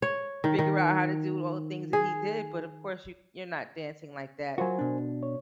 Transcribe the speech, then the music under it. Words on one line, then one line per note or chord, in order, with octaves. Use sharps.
figure out how to do all the things that he did, but of course you you're not dancing like that,
C#5
D#3
D#3
G#4
F#3 F4 F#4 A#4 C5 G#5
B2 D4
C#5